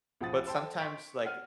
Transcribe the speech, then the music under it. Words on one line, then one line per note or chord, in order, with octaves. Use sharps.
but sometimes, like,
C#2 F3 F#5 D#6 A6
A4 C5 G5 A5 C6 E6
C6 C#6 B6 D7
F#5 F6 D#7